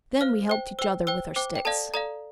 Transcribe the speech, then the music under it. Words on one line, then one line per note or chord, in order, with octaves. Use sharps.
Then we helped each other with our sticks.
C5 F5 F6
C5 G5
C5 G5 E6
C5 G5 E6
C5 G5 D6
G5
A4 D5 F5 A5
A4 D5 F5 A#5